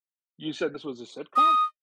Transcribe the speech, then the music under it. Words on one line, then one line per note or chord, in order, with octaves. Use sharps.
You said this was a sitcom?
D#6